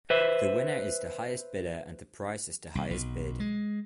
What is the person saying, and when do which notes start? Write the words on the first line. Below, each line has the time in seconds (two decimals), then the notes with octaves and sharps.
The winner is the highest bidder and the price is the highest bid.
0.10 B4 C5 E5
2.75 C2
2.91 B1
3.40 G#3